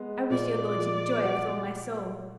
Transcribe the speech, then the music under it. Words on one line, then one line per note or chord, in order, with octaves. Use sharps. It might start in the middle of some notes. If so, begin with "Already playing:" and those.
I wish your lordship joy with all my soul.
Already playing: G#3 B3
A#2 D5
F3
F#4